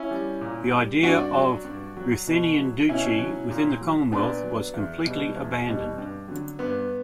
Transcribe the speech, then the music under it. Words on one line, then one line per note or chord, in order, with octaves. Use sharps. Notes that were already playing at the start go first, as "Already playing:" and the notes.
The idea of a Ruthenian Duchy within the Commonwealth was completely abandoned.
Already playing: C#4 E4
G3
A#2
G3
G2 D4 F#4
F#3
G2
F#3
B2
F#3
B2 C#4 E4
F#3
A#2
F#3
A#2 B3 D4
F#3
E2
B2 G3
E2
B2 G3
G2
D3 F#3
G2 B3